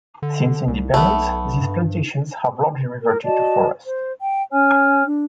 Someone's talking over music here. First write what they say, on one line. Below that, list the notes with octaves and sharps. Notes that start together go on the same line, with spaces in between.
Since independence, these plantations have largely reverted to forest.
D3
C2
B1 A3 B3
G2
A#4
F#4 D5 D#5 A5
C5
G5
C#4 C#5 G#5 F6
D4